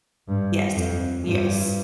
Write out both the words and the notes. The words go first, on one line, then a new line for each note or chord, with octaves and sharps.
Yes. Yes.
G2
F2
G2